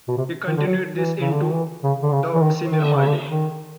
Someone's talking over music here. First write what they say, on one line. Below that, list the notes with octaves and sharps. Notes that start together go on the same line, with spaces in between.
He continued this into the senior party.
B2
C3
D#3
D3
F#3
E3
C#3
D3
D#3
E3
C#3
D3
C#3
E3
D#3
D#3
D3
C#3
D3
D#3